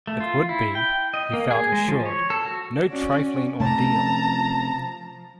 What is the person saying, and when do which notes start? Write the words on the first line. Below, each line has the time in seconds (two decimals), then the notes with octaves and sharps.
It would be, he felt assured, no trifling ordeal.
0.07 A3
0.20 F4
0.49 E4
0.75 G5
1.14 D#5
1.33 A#3
1.51 G#4
1.72 G#3
1.88 F3
2.06 C#5
2.30 A4
2.45 F#4
2.89 C#4 F#4 D5
3.60 C3 F3 A3 C#4 A5 A#5